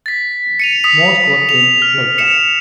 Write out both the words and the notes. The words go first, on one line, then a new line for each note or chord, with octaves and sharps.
Most worked in "Vuelta".
A6 B6
C#7 D#7 F7
D#6 B6 F7
F7
F6
C#7 E7 F7